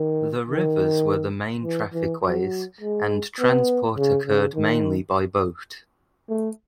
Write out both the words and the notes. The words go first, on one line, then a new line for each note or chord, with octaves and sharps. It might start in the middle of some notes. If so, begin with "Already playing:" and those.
The rivers were the main traffic ways and transport occurred mainly by boat.
Already playing: D#3
D#3
E3
E3
F#3
G#3
B3
C#3
C#3
D#3
A3